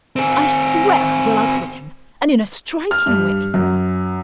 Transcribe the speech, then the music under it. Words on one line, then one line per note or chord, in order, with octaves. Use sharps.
I swear I will outwit him--and in a striking way!
C4 G#4
F6
G2
F#2